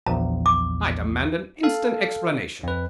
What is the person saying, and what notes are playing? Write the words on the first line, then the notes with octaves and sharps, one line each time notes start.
I demand an instant explanation.'
A#1 E2 A#5
D6
A4 F5
F2 B4